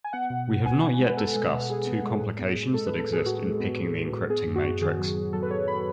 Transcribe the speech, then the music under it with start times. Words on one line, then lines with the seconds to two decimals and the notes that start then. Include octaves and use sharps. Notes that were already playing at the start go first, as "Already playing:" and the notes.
We have not yet discussed two complications that exist in picking the encrypting matrix.
0.04 G#5
0.13 B3 F#5
0.30 B2
0.48 B2
0.65 B3 G#5
0.83 B2
1.00 G#3
1.08 B4
1.17 G#3 A4
1.35 G#3
1.53 B2
1.70 G#3 G#4
1.87 B3
2.03 G#3
2.21 A2
2.39 B3
2.57 A2
2.74 G#3 A4
2.87 A2 B4
2.99 A4
3.09 A2 G#4
3.25 A2 F#4
3.43 G#3
3.60 B3
3.77 A2
3.95 A2
4.12 A2
4.30 B3 G#4
4.47 F#2
4.56 F#4
4.65 B3
4.81 D#3 G#4
4.99 F#3
5.16 B3
5.33 F#3 A4
5.43 B4
5.51 F#3 C#5
5.68 B5